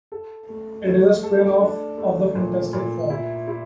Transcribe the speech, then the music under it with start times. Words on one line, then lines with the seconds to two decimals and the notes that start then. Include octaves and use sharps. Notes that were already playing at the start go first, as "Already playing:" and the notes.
It is a spin-off of the Fantastic Four.
0.12 A4
0.49 A3
0.87 A3
1.23 A4
1.61 D4
1.98 A3
2.35 A#2
2.73 A#2
3.10 E4
3.47 E4